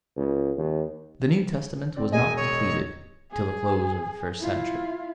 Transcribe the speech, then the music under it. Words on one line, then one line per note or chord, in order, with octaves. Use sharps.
The New Testament was not completed till the close of the first century.
C#2
D#2
C4 D5
E1 G#4 D#5 G#5
C#5
G#4
E4 F4